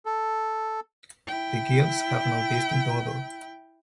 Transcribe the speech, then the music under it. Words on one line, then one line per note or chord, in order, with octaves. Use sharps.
The gills have no distinct odour.
A4
E4 G5